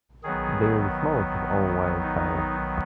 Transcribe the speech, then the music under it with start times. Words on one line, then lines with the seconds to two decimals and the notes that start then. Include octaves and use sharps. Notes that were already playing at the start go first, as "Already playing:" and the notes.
They are the smallest of all wildfowl.
0.23 D#3 F#3 B3 G#4
2.03 D#4